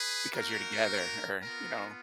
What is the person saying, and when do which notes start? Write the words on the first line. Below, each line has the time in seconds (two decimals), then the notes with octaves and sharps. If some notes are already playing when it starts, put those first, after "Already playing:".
Because you're together, or, you know.
Already playing: G#4 B4
0.35 A#3 D#4 F#4 A#4
1.42 B3 F4 A#4